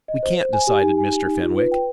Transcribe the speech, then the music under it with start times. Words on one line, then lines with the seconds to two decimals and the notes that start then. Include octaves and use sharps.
"We can't," decided Mr. Fenwick.
0.08 D#5
0.23 C5
0.38 C5
0.53 G#5
0.67 G4
0.83 D#4
0.98 G#5
1.12 G4
1.27 D#4
1.42 F4
1.58 B4
1.72 G5